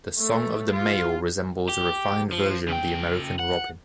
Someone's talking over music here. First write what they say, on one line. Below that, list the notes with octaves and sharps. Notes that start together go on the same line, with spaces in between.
The song of the male resembles a refined version of the American robin.
A3
F4
G4
F3
C#3 G5
F#5